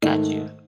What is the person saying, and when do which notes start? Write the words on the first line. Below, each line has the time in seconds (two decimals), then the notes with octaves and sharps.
Got you.
0.02 G#2 D#3 A3 D#4